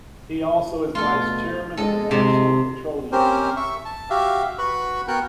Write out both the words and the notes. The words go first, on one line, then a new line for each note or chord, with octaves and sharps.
He also is vice chairman of the National Petroleum Council.
B2 A3 F4 A4
G#3 A4 D#5
C3 G#3
C4 C#4 G4 A#4 C5
E5 C#6
A5
F#4 G4 E5 F5
F#4 B4 B5 C#6
B3 F#4 A#4 F#5 G5